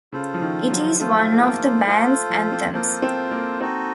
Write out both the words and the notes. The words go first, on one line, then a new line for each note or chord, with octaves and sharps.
It is one of the band's "anthems".
C#3 F4 A4 C5
F3
D#3
F#3
A3 F4 A4 C5
A3
A#3
A3 F4 A4 C5
F3
C4
A#3 F4 A4 C5
C4
A#3
C4 D#4 F#4 A4 D#5